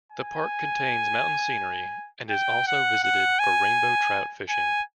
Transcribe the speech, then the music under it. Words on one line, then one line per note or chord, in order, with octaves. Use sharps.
The park contains mountain scenery and is also visited for rainbow trout fishing.
G#5
G5
F#5
F#5
G#5
G#5